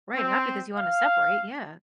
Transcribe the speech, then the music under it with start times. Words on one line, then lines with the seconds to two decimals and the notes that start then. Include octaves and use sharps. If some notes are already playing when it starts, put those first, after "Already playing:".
Right, not because you wanna separate. Yeah.
0.16 C4
0.76 F5